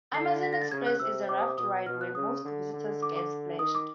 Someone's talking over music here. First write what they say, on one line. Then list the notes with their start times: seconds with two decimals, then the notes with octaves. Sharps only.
Amazon Express is a raft ride, where most visitors get splashed.
0.13 D3 C7
0.43 B6
0.53 A#6
0.61 A6
0.71 C#3 G#6
0.86 F#6
1.00 C3 E6
1.29 C3 D6
1.38 D#6
1.48 D6
1.58 B2 D#6
1.86 B2 F6
2.01 F#6
2.15 C#3 D#6
2.45 D3
2.74 D3
3.02 D6
3.16 D6
3.59 D#3 D#6
3.75 D6